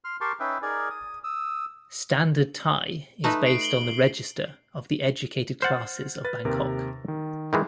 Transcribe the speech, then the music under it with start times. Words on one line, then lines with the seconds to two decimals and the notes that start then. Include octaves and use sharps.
Standard Thai is based on the register of the educated classes of Bangkok.
0.04 C6 F6
0.21 G4 A#4 G5 A5 C6 C#6
0.40 C#4 D#4 B4 E5 G5
0.62 D#4 G#4 A#4 D5 G#5
0.90 D#6
1.24 D#6 E6
3.24 A3 D#4 B4
3.46 C7 D7
3.61 F#7 G7
5.62 C5 F#5 F6 A6
6.24 B4 A6
6.45 D#2 C3 A#4
7.08 D#3
7.53 D#3 E3 G#3